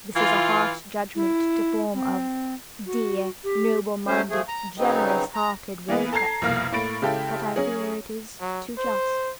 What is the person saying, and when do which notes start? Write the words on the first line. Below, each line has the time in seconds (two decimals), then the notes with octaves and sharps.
This is a harsh judgment to form of 'dear, noble-minded, generous-hearted Walter,' but I fear it is too just.
0.15 E3 F4
1.16 E4
1.94 C4
2.87 F#4
3.44 G4
4.07 F#3 A3 C#4 C5
4.30 F3 A3 G#4
4.48 A#5
4.78 C#3 F#3 B3 C4 D#4
5.35 A#5
5.88 E3 A#3 B3 B4
6.13 A4 A5 A#5 G#6 C7
6.42 C2 F2 B2 A#3 F5 F6
6.72 A2 A#3 B5 A6 D7
7.02 C#3 G#3 E4 G4 A4
7.56 F#3 C#4 G#4
8.40 F#3
8.78 C5